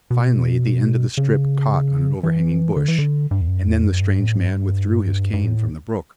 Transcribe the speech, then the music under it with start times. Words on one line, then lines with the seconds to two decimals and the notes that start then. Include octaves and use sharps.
Finally the end of the strip caught on an overhanging bush, and then the strange man withdrew his cane from the brook.
0.10 B2
1.17 C#3
2.23 E3
2.76 D3
2.88 E3
2.99 D3
3.31 G2
3.41 E2
3.48 F#2
3.66 E2
3.84 F#2
4.01 G2
4.19 A2
4.38 G2
5.33 G2
5.44 A2